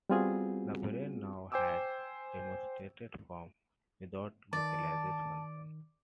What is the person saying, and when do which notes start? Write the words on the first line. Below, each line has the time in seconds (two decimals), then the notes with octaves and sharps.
The brain now had demonstrated form, without localised function.
0.10 G3 B3 C4 F4 F#4 G#4
1.52 C5 G5 G#5 D6 E6
4.53 D#3 D5 A5